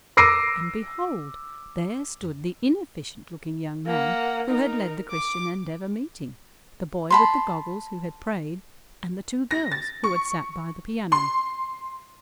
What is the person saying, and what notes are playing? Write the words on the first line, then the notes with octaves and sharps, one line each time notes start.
And behold, there stood the inefficient-looking young man who had led the Christian Endeavor meeting, the boy with the goggles who had prayed, and the two girls who had sat by the piano.
D6 E6 A#6 C7 D7 D#7
A#3 F#5
D#4 A#4
D6
A5 B5 C6
A#6
A6
C#6
C6